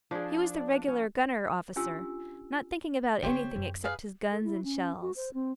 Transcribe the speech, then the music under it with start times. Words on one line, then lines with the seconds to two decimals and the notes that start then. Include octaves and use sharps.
He was the regular gunner-officer, not thinking about anything except his guns and shells.
0.11 F3 D4 G#4
0.88 C#4
1.76 C#4 D4 F4 G4 G#5 E6
3.23 D3 B3 G4 C5 C#5
3.56 F#2
3.84 G#4 B4 F5
4.31 A4
4.44 E4
4.64 C#4
5.02 F#4
5.16 C5
5.34 C4